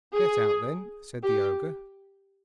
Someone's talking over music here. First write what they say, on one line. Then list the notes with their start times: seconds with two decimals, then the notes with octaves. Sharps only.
'Get out, then!' said the ogre.
0.14 G#4
1.24 G4